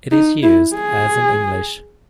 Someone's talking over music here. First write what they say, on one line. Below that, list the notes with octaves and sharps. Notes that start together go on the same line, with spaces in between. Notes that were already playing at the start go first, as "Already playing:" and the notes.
It is used as in English.
D#4
E4
G#4